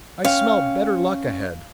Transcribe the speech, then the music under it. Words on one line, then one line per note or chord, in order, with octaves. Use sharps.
"I smell better luck ahead."
C#4 C#5 F5 G5